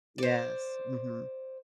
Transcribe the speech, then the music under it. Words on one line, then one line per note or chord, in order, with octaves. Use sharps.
Yes, mhm.
C5 D5